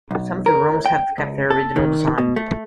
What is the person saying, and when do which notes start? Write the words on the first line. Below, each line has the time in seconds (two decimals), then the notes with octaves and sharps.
Some of the rooms have kept their original design.
0.11 B1
0.46 A#4
0.86 G5
1.18 C#2
1.50 A4
1.76 D#3
2.18 B2
2.36 A3